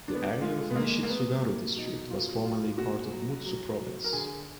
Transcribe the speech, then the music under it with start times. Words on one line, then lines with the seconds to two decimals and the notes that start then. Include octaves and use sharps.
The area of Nishitsugaru District was formerly part of Mutsu Province.
0.08 D3 D4
0.15 B3
0.23 D4
0.41 G#3 F4
0.71 B3
0.75 G#3 A#3
1.03 A#3
1.09 G#3 B3
1.43 F#3 A#3
1.76 B2 D#4
2.10 F#3 F4
2.44 F#3 F4
2.78 A#2 F#4
3.11 F#3
3.45 F#3
3.79 F#3
4.04 A#4
4.13 D3 G#4